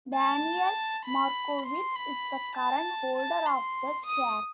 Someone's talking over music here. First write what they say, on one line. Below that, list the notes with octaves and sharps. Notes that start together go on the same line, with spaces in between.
Daniel Markovits is the current holder of the chair.
A5
B5
C6
B5
A5
A5
C6
D#6